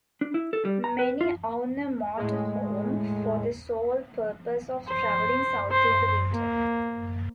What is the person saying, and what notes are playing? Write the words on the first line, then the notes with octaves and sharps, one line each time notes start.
Many own a motorhome for the sole purpose of traveling south in the winter.
D4
E4
A4
G3
A#5
B4
F4
A2 G#3
C5
C5
A#3